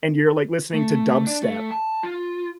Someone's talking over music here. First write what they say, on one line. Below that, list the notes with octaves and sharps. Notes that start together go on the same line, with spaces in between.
and you're, like, listening to dubstep
A3
D4
A3
A5
F4